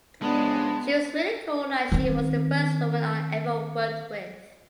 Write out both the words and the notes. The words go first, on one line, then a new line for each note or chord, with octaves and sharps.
She was really cool as she was the first woman I ever worked with.
F2 C#3 G#3 B3 D4 A5
D#3 C4